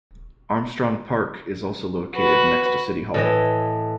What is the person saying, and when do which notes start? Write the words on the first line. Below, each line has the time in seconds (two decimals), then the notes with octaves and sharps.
Armstrong Park is also located next to City Hall.
2.16 F#4 B4
3.14 A2 E3 D#5